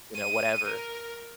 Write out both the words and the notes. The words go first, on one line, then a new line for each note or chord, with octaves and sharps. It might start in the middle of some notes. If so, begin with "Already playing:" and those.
you know, whatever.
D#7
A#4